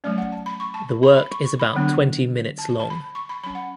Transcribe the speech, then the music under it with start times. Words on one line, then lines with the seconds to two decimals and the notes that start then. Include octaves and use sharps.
The work is about twenty minutes long.
0.04 F#3 A3 C#4 D5
0.18 F#5
0.32 A5
0.46 B5
0.60 C#6
0.74 A5
0.89 B5
1.03 B5
1.17 B5
1.31 C#6
1.45 C#6
1.59 B5
1.73 D3 F#3 B3 D4
2.58 A5
2.69 A5
2.80 A5
2.90 B5
3.15 C#6
3.29 B5
3.44 F#3 C#4 B5
3.55 F#5